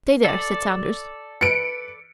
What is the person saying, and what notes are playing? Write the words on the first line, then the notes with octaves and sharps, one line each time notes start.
"Stay there," said Saunders.
A4 D5
B4 C#7 D7